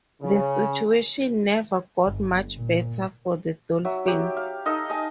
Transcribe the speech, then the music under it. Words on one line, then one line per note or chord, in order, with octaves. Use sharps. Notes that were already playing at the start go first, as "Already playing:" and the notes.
The situation never got much better for the Dolphins.
C#3
G1
A#2
F#3 E5
F#3 G4
F5
D#4 A4 D#5 F5
D#5 G#5 A5